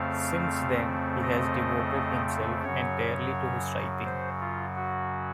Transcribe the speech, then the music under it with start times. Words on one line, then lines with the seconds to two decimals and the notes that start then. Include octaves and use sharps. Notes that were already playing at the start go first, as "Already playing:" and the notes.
Since then, he has devoted himself entirely to his writing.
Already playing: F2 C#3 A3 C4 F5
1.23 D#5
2.64 F#2 C#3 F#3 C#5
4.05 C5
4.41 F4
4.76 F#4